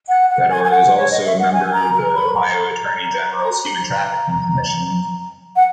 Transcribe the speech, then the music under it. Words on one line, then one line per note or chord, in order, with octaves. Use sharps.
Fedor is also a member of the Ohio Attorney General's Human Trafficking Commission.
F#5
F#5
G#5
G#5
F#5
C#5
D#5
E5
F#5
G#5
A#5
A#5
B5
A#5
F#5